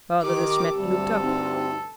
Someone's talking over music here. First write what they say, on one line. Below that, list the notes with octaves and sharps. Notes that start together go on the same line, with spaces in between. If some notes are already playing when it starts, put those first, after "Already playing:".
Father De Smet looked up.
D#3 G4 D6
D2 G2 C3 G3 A4
C4 D#4